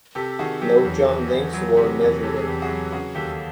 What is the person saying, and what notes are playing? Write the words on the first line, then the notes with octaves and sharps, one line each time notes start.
No jump lengths were measured.
C3 G4 A4
D#3 F#4 G#4
F#3 G4
E2
E2
E2
F#3
C3
E2
C3 A4
G#4
E2 G4
F#4 G#4
F#3
C#3 F#4 G#4
D#2 G4 A4
A4